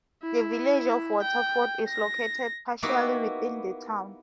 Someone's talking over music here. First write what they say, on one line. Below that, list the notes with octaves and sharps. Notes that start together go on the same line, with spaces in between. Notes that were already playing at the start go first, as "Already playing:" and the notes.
The Village of Waterford is located partially within the town.
E4
G5
A#6
A#3 B3 D#4 E4 F#4 G4